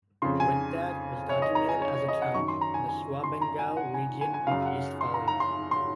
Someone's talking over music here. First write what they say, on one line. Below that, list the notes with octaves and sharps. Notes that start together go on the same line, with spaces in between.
Rikdag was documented as a count in the Schwabengau region of Eastphalia.
F2 C#3 C6
G#5
C#5
D#5
A#5
G#5
C#5
C#5
D#5
F#5
F#2 D#3 C#6
C6
A#5
G#5
G#5
C6
A#5
G#5
F#5
G#5
G#5
G#5
F#2 C#3 F5
F#5
C6
A#5
A#5
C6
C6